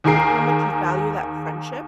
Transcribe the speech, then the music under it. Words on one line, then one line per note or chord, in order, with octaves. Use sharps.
Like, how much you value that friendship?
D#2 D#3 G#4 A#4 C7